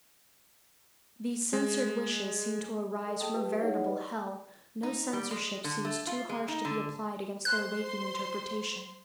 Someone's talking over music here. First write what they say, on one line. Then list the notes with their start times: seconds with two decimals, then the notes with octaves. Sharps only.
These censored wishes seem to arise from a veritable hell; no censorship seems too harsh to be applied against their waking interpretation.
1.53 G#3
3.06 A4 D#5
3.20 A#3 G#4 A4 G5 A5 D#6
3.34 F4 G4 B4
3.61 D#4 E4 G#4 C#5 F#5
3.85 B4 D#5
4.83 D#4
5.13 G3
5.31 G#3
5.64 D3
5.85 A3
6.07 F4
6.29 G#3
6.48 D#4
6.65 D3
7.45 C5 C6 F#6